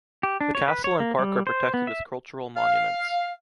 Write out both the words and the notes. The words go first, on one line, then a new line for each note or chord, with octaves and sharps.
The castle and park are protected as cultural monuments.
G4
D4
C#5
B4
C#5
A#3
G3
C5
B3
E5
F5